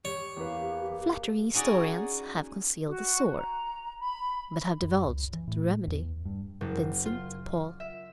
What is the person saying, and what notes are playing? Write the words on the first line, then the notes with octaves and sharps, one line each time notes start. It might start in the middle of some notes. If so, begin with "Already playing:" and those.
Flattering historians have concealed the sore, but have divulged the remedy, Vincent de Paul.
G4 C#5
E2 A#3 E4 B4 F5
C#4 D#4 F#4 G#4 D5
F#4
A#5
B5
F#2
C#2
E3
A2
E2
G2
F#1
F4
E5